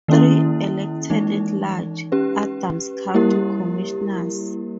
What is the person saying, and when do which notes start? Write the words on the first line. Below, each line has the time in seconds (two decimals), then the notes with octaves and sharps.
Three, elected at large, Adams County Commissioners.
0.08 D#3 A#3 C#4 E4
1.10 E3 G#3 D#4
2.12 C#4 G4 B4
3.14 G3 A#3 E4 G4 A#4